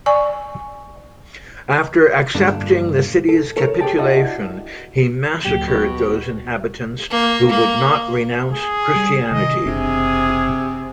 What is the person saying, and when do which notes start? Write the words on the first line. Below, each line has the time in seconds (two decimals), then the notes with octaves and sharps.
After accepting the city's capitulation, he massacred those inhabitants who would not renounce Christianity.
0.06 D5 G#5 C#6
2.35 G2 A#2 D3 D4
3.29 A4
3.57 A4 A#4 C#5
3.81 G4 G#4 G5 A5
3.98 D4 E4 F#4 D5 D#5
5.45 D2 A#2 F#3 G4
5.67 B2
7.10 A#3
7.50 A#3
8.52 G#4
8.96 G3
9.31 C3 D#3 D#5
9.66 F#1 C3 C4 D4 G#4